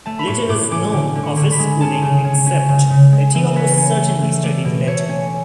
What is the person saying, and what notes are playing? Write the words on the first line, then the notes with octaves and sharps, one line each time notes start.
Little is known of his schooling except that he almost certainly studied Latin.
A3 A5
B5
A2 C#6
A2 D6
C#4 D6
D3 D6
D3
C#6
D3
B5
G#3
C#4 A5
C#3
C#4
C#4
C#3
C#3
G#3
E3
C#4 B4
C#4
A3
A3
A3 D5
B2
A3 C#5
C#4